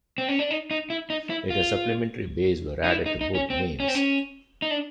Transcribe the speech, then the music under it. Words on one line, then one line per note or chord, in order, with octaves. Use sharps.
Later, supplementary bays were added to both naves.
C4
C#4
D4
D#4
D#4
E4
D#4
E4
F4
D#4
E4
D#4
D#4
C#4
C4
C#4
C4
C#4
D#4
D4